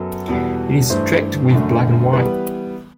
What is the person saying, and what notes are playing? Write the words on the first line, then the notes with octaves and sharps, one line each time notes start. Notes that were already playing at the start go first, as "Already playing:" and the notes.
It is streaked with black and white.
Already playing: F#2 F#3 B3 A4
E2 B2 G3 B3
G2 E3 A3 C5
F#2 D3 A3
E3 G3 B3 B4